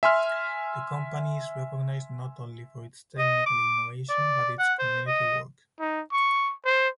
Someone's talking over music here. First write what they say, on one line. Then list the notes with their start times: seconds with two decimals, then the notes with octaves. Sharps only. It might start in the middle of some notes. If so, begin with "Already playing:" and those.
The company is recognised not only for its technical innovation but its community work.
0.03 E5 G#5 C6 F6
3.18 D#5
3.46 D6
4.09 D5
4.59 F#5
4.79 C5
5.07 D#5
5.80 D#4
6.12 C#6
6.65 C5